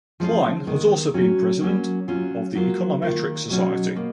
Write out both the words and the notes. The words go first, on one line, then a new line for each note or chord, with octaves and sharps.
Klein has also been president of the Econometric Society.
F3 G#3 C#4 F4
D#3 G#3 B3
F#3 C#4 F#4
F#3 A#3 C#4
F#3 C#4 F4
F#3 A#3 F4
D#3 A#3 F4
B2 F#3 C#4 F#4
B2 A#3